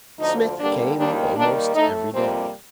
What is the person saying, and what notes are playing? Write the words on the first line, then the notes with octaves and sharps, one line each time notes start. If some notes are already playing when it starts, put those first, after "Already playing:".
Smith came almost every day.
D2 D3 F3 D#4
G2 D3 G3 A#3 D4
D#2 D#3 G3 A#3 D4
D#2 D#3 G3 A#3 D4
A2 A3 D#4
F2 C3 G3 A#3 C4